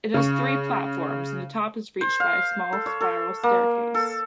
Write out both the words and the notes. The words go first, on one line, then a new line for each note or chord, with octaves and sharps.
It has three platforms and the top is reached by a small spiral staircase.
C#3 C#6
C5
F5
A4
C#5
A4
A#3
A4